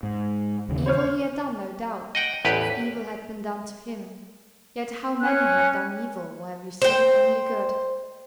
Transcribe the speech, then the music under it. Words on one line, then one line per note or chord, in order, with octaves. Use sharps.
Evil he had done, no doubt, as evil had been done to him; yet how many have done evil, while receiving only good!
G#2
D#2 C#3 E3
C5 C#5 F6
D#5 F#5 G5
A1 E2 G4 B4
C#4 C#5 G#5 F#6
C5 G5